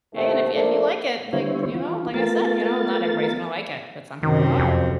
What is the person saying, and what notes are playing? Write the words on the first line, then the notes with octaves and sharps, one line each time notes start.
Hey, and if if you like it, like, you know, like I said, you know, not everybody's gonna like it, but some people are.
D#2 C3 A3
F3 A3 A#3 D4
D3 G3 B3 E4 C5 C#5
E3 F4
A3 B3 F4 A#4 A6
F#2 C3 D#3
F2